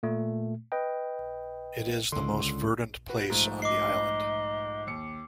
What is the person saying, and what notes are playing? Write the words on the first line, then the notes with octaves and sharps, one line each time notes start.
It is the most verdant place on the island.
A#2 A3
B4 D#5 G5
C#2 D3 C6
F#4 B4
G#2 F3 A3
D#5 D6 C7
D#2 C#7